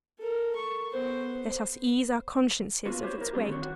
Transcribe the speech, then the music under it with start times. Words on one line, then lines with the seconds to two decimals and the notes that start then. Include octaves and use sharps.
Let us ease our consciences of its weight.
0.19 A4 A#4
0.56 C#6
0.90 B3 C5
2.86 A#3 B3 D4 F4 F#4 B4
3.03 G4 C5 C#5
3.18 E4 A#4
3.33 G3 C4 D4 E4 G4
3.48 D#3 C4 F#4 C#5
3.62 F#4